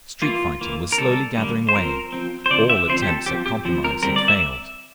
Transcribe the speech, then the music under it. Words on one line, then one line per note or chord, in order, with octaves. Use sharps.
Street-fighting was slowly gathering way; all attempts at compromise had failed....
E3 A#3 F4
E3 A#3
A#4
D3 G3 A#3 A4
D3 G3 A#3
C5
F3 C4 A#4
F3 C4
C5
D3 F3 C4 D5
E5
D3 F3 C4 C5
G4
A4
F3 C4 G4
G4
F3 C4
A#4
D3 G3 C4 A#4
D5
E5